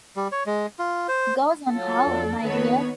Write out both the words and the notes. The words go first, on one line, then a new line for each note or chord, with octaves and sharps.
Goes on how, my dear?
G3
C#5
G#3
F4
C5
F#3 F4 A4
F2 D4
F2 D#3 B3 B4 C#5